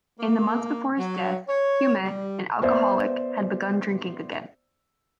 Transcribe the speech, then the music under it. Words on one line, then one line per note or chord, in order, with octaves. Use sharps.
In the months before his death, Hume, an alcoholic, had begun drinking again.
A#3
F#3
C#5
G3
B3 C5 D5 E5